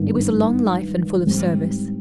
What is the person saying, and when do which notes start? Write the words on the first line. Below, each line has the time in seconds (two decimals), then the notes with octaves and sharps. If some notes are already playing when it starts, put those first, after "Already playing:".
It was a long life and full of service.
Already playing: G#1 G2 D#3 B3
1.25 G#2 G3 C4